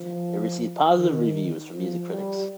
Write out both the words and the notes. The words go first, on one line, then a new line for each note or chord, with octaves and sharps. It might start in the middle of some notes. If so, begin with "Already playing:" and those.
It received positive reviews from music critics.
Already playing: F3
D#3
F3
G3